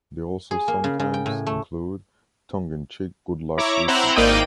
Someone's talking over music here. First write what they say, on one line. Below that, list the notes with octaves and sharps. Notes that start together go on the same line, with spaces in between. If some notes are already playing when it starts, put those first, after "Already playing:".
They also sometimes include tongue in cheek good luck wishes.
G#4
A#3
C#3
C#3
G5
A2
A3
E4 C#5 A#5 D6
C4 E4 C5 F#5 A#5 B5
G#1 A#3 D#4 D5 G5 D#7